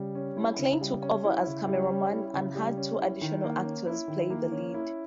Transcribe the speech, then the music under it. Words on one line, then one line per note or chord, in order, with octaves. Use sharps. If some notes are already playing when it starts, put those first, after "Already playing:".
Maclaine took over as cameraman and had two additional actors play the lead.
Already playing: C#3 G3
C#4
E4
C#3
G3
C#4
E4
C#3
G3
C#4
E4
C#3
G3
C#4
E4
D#3
A#3
C#4
E4
D#3
A#3
C#4
E4